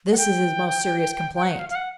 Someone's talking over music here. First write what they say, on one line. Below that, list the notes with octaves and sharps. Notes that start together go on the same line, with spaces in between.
This is his most serious complaint.
F#5
G5
G5
F#5
F5
F5
F#5